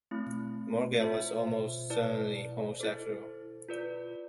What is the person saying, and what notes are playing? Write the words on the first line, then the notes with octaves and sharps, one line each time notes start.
Morgan was "almost certainly homosexual".
A3 C4 E4
F4 C5 E5
E4 B4 D5 A5
E4 A4 C5
F4 B4 D5